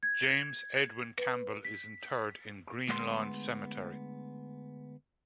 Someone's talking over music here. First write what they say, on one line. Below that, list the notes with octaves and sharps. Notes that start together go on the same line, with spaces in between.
James Edwin Campbell is interred in Green Lawn Cemetery.
G#6
B4
B6
D2 G#3 B3 D5 C6